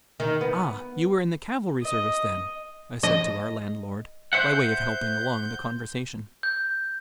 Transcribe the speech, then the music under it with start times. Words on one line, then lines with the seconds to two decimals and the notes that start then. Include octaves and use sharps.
"Ah! you were in the cavalry service, then?" I said to our landlord, by way of helping along the conversation.
0.20 D#3
0.41 B3
1.82 D#5
3.03 D#5
4.33 C5 E5 F#5 G6
6.43 G6